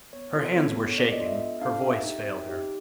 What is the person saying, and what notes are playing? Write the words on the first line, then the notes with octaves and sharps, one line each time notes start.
Her hands were shaking, her voice failed her.
B3 C#5
D4 F4 A4
B3
D4 F4 A4
C#5
B3 D5
D#5
D4 F4 A4
E5
B3
D4 F4 A4 F5
C4 E5
D#4 G4
C4
D#4 G4